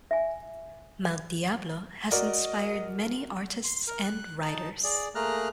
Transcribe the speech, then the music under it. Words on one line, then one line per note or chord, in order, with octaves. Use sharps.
Mount Diablo has inspired many artists and writers.
E5 G#5
F#4 A#4 D5 D#5
C6
A#4
F#6
D#4 A5
G#4 D5
A3 A#3 G#4 A#5 F6 F#6